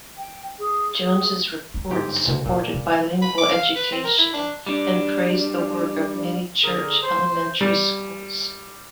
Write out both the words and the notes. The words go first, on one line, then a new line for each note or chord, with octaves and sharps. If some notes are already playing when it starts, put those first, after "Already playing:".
Jones's reports supported bilingual education and praised the work of many church elementary schools.
G5
G#4
G#4
F4
G1 G#2 G4
D2 C#3
A#2 D3 F3
D3
B5
D6
F5
B4
C4
A#4
E4
D4
G3 D4
D3 G#4 A#4
C5
G3